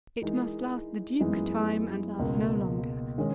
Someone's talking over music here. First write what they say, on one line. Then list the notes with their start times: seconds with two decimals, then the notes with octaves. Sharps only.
It must last the Duke's time, and last no longer.
0.22 E3 G#3 D#4 A#4
1.20 F#2 E3 G#3 B3 D#4
2.19 C#2 B2 A#3
3.18 D#3 G#3 C#4